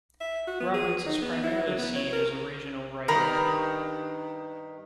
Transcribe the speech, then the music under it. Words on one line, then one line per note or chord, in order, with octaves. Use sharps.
Roberts is primarily seen as a regional writer.
E5
F#4
B3
G#4
D#4
B3
E4
F#3
B3
C#5
A#4
G2 D#3 A#4 A#5 B5